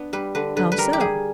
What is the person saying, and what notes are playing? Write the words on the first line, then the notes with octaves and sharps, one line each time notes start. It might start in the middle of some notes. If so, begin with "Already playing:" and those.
"How so?"
Already playing: B3 D4
G3 B4
D3 B4
D3 B4
B4
G3 A#4
G4
G3 G#4